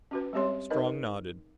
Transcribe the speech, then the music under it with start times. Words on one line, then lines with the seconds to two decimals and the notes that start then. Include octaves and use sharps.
Strong nodded.
0.11 C#4 F#4 B4
0.33 G3 G#3 C4 G4 C#5 C6
0.70 D#4 A#4 B4 D#5